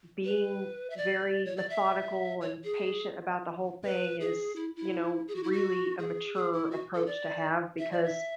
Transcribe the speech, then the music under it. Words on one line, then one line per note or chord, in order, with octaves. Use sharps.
being very methodical, and patient about the whole thing is, you know, really, a mature approach to have, because
B4
E5
D5
C#5
D5
E5
C#5
G#4
B4
G#4
E4
E4
G#4
F#4
E4
F#4
G#4
G#4
E4
F#4
A4
D5
E5
D5
E5